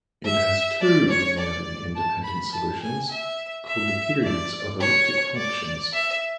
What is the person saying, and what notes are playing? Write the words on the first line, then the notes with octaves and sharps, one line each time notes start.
It has two linearly independent solutions, called the periods of elliptic functions.
E5
D5
C#5
D5
A5
B5
A5
G#5
E5
E5
D5
C#5
D5
E5